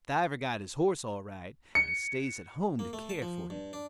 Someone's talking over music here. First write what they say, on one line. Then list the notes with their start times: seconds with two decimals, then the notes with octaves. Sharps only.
Stiver got his horse all right, and stays at home to care for him.
1.75 C#7
2.79 A#3
2.93 A3
3.09 A5
3.22 F3
3.50 G2
3.73 D4